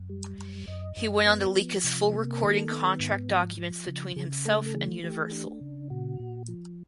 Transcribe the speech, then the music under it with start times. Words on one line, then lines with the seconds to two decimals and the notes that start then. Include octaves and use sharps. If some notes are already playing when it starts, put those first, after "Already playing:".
He went on to leak his full recording contract documents between himself and Universal.
Already playing: F#2
0.09 G3
0.38 F#2
0.67 F#2 D#5
0.97 F#2
1.26 B3
1.55 F3
1.84 C3
2.13 A#3
2.33 A#4
2.42 D#3 A4
2.71 B3
3.00 G#2
3.29 F3
3.58 F3
3.87 C#3
4.16 C#3 G#4
4.45 A3 A4
4.66 A4
4.74 E3 G#4
5.03 A3 G4
5.17 G#4
5.31 D4 G4
5.61 C#3
5.90 A#2 F#4
6.20 A#2
6.48 F3